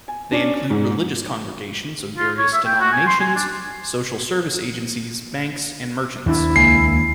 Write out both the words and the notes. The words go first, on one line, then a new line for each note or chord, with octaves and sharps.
They include religious congregations of various denominations, social service agencies, banks, and merchants.
G#5
C#4 D4
G#2
F4
C#5
E5
G5
F#4
G#5
C6
G#5
D4
D#2 D4 E4
C#2 A#3 G#5 C7